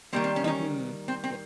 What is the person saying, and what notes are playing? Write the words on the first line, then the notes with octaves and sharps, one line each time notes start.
Mhm, yeah
D#3 G3 A#3 C4
C4
C#4
D#4
C#4
C4
C4